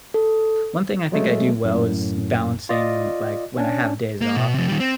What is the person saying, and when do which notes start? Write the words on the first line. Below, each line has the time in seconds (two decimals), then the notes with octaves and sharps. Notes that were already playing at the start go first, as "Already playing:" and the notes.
One thing I think I do well is, balancing, like, when I have days off,
0.14 A4
1.12 F#3 G#3 A3
1.65 F#2 A2
2.69 F4 D5 D#5
3.58 C#4 D4
4.21 A#3
4.36 B2
4.54 C3 F3
4.68 D#3 G3
4.80 C4